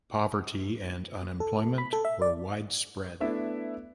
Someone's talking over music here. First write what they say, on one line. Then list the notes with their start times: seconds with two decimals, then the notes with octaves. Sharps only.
Poverty and unemployment were widespread.
1.40 A4
1.78 B5
1.93 A4
2.05 E5
2.22 D5
3.20 A3 B3 D4 E4 E5